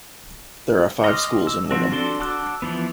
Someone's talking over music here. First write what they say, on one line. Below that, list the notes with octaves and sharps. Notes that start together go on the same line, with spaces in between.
There are five schools in Wingham.
D#5 C6 D6 D#6 F6
E6
F3 C4 F#4
D4 F#4 A4 D5 C6
F#5 A5 D6 E6 F#6
E3 F3 B3